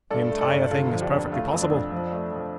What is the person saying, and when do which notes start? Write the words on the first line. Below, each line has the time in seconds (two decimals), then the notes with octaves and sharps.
The entire thing is perfectly possible.
0.10 G2 A4 D5
0.31 A3
0.41 A4 D5
0.51 G1
0.71 D3 F4 A4
0.91 F3
1.01 D4 G4
1.12 F2
1.32 A3 F4
1.52 F2
1.61 D4
1.72 F2
1.92 F3
2.12 A3
2.32 F3